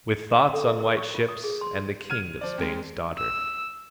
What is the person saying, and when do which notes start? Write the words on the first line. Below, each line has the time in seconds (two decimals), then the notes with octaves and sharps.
"With thoughts on white ships And the King of Spain's Daughter."
0.35 F5
0.53 A4
0.69 E5
0.80 A#4
0.97 C#6
1.15 F4
1.29 D#6
1.44 G#4
1.61 C6
2.10 F6 G#6 D#7
2.41 F3 D5
2.58 F2 G#3
3.18 E6